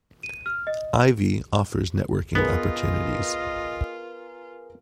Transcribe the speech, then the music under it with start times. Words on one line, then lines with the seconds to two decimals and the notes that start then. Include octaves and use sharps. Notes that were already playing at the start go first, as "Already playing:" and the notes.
Ivey offers networking opportunities.
0.23 D#7
0.46 F6
0.67 D#5
2.35 B3 F4 G#4 A#4 B4 D#5